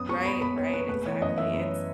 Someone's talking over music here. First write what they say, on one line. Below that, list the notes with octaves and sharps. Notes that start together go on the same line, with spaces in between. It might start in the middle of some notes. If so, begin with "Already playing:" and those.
Right, right, exactly, it's
Already playing: F#2 B3 D#6
G#3 C#6
B3 B5
B3 B5
B3 C#5
B3 B4
A3 B4
E3 C#5
F#2 D#5
E3 E5
F#2